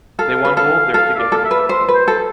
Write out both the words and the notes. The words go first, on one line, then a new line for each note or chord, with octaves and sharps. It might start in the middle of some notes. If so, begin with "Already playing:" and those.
They won gold there together with their team.
A4 F5
B4
A4 F5
A4 F5
E5
D5
A4
F5
E5
B4
C5
B4
C5
A4